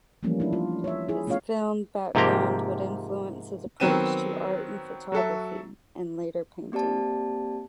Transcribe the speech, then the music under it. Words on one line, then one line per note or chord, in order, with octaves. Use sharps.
His film background would influence his approach to art in photography and later painting.
E3 F3 G3 A3 A#3 C#4
D4 E4
F4
C#5 E5
E4 G#4
A3 B3 C#4 F4 C#5 F5
G#2 C3 F3 A#3 G4 A#5
D#3 F#3 B3 C4 D#7 E7
F#3 F#4 A4 E5
A#3 C4 G4 D5 A5